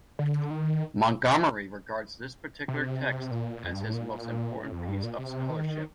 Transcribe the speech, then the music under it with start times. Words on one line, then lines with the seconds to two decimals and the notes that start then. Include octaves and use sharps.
Montgomery regards this particular text as his most important piece of scholarship.
0.19 D3
0.51 D#3
2.68 C3
3.31 A#2
3.63 F2
3.73 G2
3.83 A2
3.93 A#2
4.56 A2
4.72 F2
4.88 G2
5.03 A#2
5.18 C3
5.50 D#3